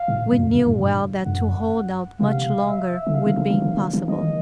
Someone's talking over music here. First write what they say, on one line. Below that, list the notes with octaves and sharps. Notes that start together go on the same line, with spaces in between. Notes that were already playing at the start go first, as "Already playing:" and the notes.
We knew well that to hold out much longer would be impossible.
Already playing: F5
A2
A#2
F#2
F2
F#2
G#2
G2
F#2 F#5
C3 F5
E5
D3
C#3 F5
D3
E3
D#3
D3
D#3
E3
E3 D#5
D#3